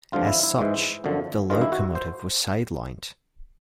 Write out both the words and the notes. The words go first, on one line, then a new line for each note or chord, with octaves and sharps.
As such, the locomotive was sidelined.
G#1 G2 D3 F3 F4
E4
E4
G#2 E3 G#3
G1 F#2 D3 F3
G2 D#3 G#3 F4
E4
F#4
C5